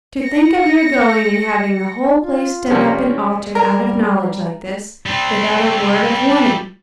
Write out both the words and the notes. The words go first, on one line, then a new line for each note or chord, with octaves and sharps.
To think of your going and having the whole place done up and altered out of knowledge like this, without a word of warning!
A#6 C#7
F4
C3 F3 G3 C#4
G3 A#4
G3 C4